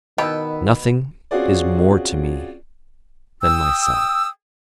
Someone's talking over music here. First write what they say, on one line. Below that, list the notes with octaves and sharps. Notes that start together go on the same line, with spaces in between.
Nothing is more to me than myself!
B2 D#3 B3 G5 B5 E6
C4 C#4 F4 F#4 G#4 D5
G5 D#6 E6